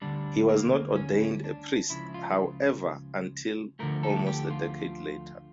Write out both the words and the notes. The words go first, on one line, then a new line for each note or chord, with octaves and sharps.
He was not ordained a priest, however, until almost a decade later.
D2 D3 G3 D4
A#3
C#4
D4
C#2 C#3 F3 E4
F4
D2 D3 F3 A3 A#4
A4
G4
F4